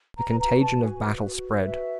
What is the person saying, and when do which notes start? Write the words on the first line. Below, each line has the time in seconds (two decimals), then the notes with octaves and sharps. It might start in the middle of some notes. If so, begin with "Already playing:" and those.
The contagion of battle spread.
0.17 B4 A#5
0.39 A#5
0.47 F#4
0.61 A5
0.76 B4
0.83 G#5
1.05 F#4
1.34 B4
1.63 F#4 E5